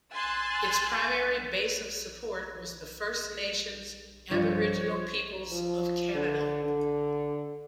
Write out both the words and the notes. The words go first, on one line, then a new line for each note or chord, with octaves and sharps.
Its primary base of support was the First Nations aboriginal peoples of Canada.
G#5 C6 E6 F#6 A6
G2 F3 G4 C#5
F3
D3
D3